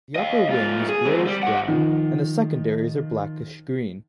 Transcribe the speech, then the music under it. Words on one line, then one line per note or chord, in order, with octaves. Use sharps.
The upper wing is grayish-brown, and the secondaries are blackish-green.
D#5 F5
G#2 F4
G#4
G#2 C4
G3
G4 F#5
D#3 F3